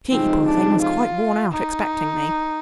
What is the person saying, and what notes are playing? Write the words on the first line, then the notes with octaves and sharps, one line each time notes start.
She, poor thing, was quite worn out expecting me.
C3 F3 G#3 C4 D#4
D4
F4
D#4